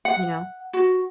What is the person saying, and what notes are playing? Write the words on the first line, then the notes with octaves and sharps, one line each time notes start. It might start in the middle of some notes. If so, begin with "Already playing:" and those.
you know?
F#5
F#4